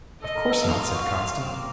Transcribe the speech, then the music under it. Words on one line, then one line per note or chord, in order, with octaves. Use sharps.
"Of course not," said Constance.
A4 D#5
A#4
A4
D#4 F5
F4
F#4
F4
C4
A#3